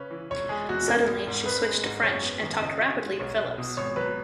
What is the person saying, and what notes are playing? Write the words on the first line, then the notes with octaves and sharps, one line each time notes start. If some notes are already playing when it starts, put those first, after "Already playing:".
Suddenly she switched to French, and talked rapidly to Phillips.
Already playing: C#3 C#4 B4
E3
E1 C#5
G#3 G#4
E2 F#4
G#1 A#4
G#1
G#2
G#1 B4
G#3
G#2
F#2 C#5
B3
D#3
C#3 D#5
F#4
G#3
B1 C#5
B1
B2
G#1 C#5
F#3 B4